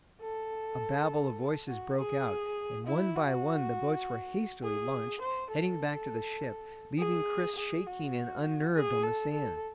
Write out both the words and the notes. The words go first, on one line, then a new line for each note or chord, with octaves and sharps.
A babble of voices broke out, and one by one the boats were hastily launched, heading back to the ship, leaving Chris shaking and unnerved on the sand.
A4
F#4
G#4
E4
F#4
G#4
C5
A4
G#4
G#4
F#4
G#4
A4
A4